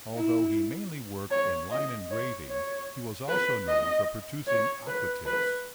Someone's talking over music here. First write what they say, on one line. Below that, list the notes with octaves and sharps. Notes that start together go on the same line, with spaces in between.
Although he mainly worked in line engraving, he was also known for producing aquatints.
E4
C#5
D#5
C#5
C#5
B4
D#5
C#5
B4
B4